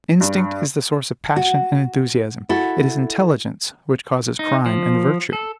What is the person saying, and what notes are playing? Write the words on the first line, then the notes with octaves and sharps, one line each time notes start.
Instinct is the source of passion and enthusiasm; it is intelligence which causes crime and virtue.
G2
F#4
E4 F#4 A4
D#4
F3
A4